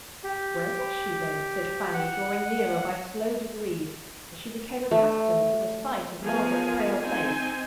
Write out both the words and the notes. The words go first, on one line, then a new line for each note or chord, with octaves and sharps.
'Where was she, then?' said Fanny, drawing nearer by slow degrees, as she became accustomed to the sight of Margaret's pale face.
G4
F#5
A3
F3 B3 G#4 A#4 F5 G#5
C4 D#4 C5 G#5